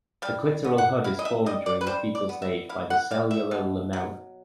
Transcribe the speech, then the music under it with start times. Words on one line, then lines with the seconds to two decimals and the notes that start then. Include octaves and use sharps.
The clitoral hood is formed during the fetal stage by the cellular lamella.
0.22 G3 F5
0.64 B3
0.78 F#5
1.04 E4 F5
1.19 D#5
1.25 E5
1.46 G3 D#5
1.66 D5
1.81 B4
1.87 G3 C5
2.15 D5
2.29 B3
2.42 E5
2.69 E4 F5
2.90 F#5
3.11 G3 F5
3.31 E5
3.51 B2
3.93 F#3